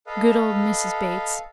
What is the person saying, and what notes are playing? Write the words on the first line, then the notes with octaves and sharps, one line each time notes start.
Good old Mrs. Bates.
A4 B4 D#5 F5